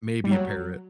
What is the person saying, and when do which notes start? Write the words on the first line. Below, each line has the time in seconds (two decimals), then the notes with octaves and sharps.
Maybe a parrot.
0.24 G3
0.31 F#3